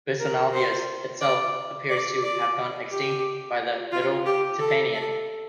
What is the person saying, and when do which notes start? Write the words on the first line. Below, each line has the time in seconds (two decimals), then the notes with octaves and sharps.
"Bisonalveus" itself appears to have gone extinct by the middle Tiffanian.
0.20 A#4
0.53 C5
1.21 D5
1.89 D5
2.23 D5
2.91 G4
3.92 F4
4.26 G4
4.60 A4
4.94 A4